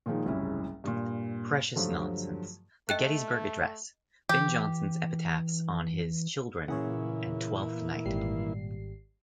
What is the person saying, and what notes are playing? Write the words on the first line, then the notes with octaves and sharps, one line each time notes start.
"Precious Nonsense: The Gettysburg Address, Ben Jonson's Epitaphs on His Children, and" Twelfth Night.
A#2 D#3 F3 G#3 D#4
F#1 C2 G#2 C#4 E4
G2 A#2
G2 D3 F3 F#3 A3
A3 D#5 G5 F#6
E3 G4
A#2 C#3 E3 A#3 E4 G#4 C#5 F#5
G#1 G3 C7